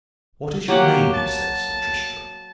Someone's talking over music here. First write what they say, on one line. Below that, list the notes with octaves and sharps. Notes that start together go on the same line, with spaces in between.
What is your name? said Sir Tristram.
F#3 A#3 G4 F#5
A5